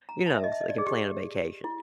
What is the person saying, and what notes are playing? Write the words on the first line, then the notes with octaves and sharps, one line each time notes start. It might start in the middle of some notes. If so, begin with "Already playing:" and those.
you know, so they can plan a vacation,
A#5
A5
E5
D#5
E5
D#5
D5
G#4
G4
E4